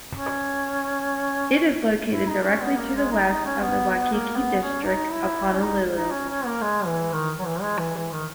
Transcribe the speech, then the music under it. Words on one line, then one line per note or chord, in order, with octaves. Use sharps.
It is located directly to the west of the Waikiki district of Honolulu.
C#4
E4
D#4
C#4
B3
A#3
G#3
D#4
D#4
C#4
B3
A#3
B3
C#4
D#4
E4
C#4
D#4
D#4
C#4
C#4
A#3
G#3
E3
D#3
F#3
E3
G#3
E3
E3
D#3